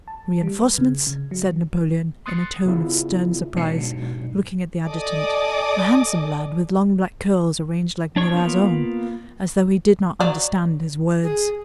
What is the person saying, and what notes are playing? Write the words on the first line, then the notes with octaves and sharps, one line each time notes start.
"Reinforcements?" said Napoleon in a tone of stern surprise, looking at the adjutant--a handsome lad with long black curls arranged like Murat's own--as though he did not understand his words.
A5
G3
B4
C#3
C#3
F#3
C6 D#6 F#6 A6 C7 C#7
C#3 B3 E4 F4
G#2 B2 F#3 D4 C7 C#7
A4 D5 D#5 G#5 D6 D#6
D4 C#5 C#6
A#3 B3 F4
F#3 D5
G#4